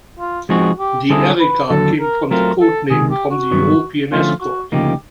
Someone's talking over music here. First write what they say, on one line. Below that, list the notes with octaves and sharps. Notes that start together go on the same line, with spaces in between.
The "Erika" came from the code-name from the European Escort.
F4
F3 G#3 C4 D#4 F#4 G#4
G4
D3 G3 C4 E4 G#4 A4
B4
D#2 D3 F#3 A4
A#4
F#3 A3 C4 F4 A#4
A4
C#2 C3 D#3 G#4
G4
F#4
G2 D#3 F#3 B3
D3 F3 A3 C#4 F4
F#4
D2 C#3 F3 A#3 D#4 G4